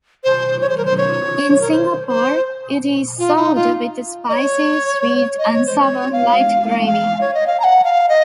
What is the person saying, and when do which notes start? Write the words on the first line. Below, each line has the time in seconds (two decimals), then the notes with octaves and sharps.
In Singapore, it is served with spicy, sweet and sour light gravy.
0.24 C5
0.61 C#5
0.69 C5
0.77 A#4
0.85 C5
0.98 C#5
1.61 A#4
1.71 C5
2.08 C5
3.18 F4
3.36 D#4
3.55 F4
4.29 D#5
4.33 C#5
5.39 D#5
5.53 C#5
5.66 C5
5.80 C#5
6.13 F5
6.86 F5
7.21 C#5
7.34 D#5
7.47 F5
7.60 A#5
7.64 F#5
7.84 F5
8.09 D#5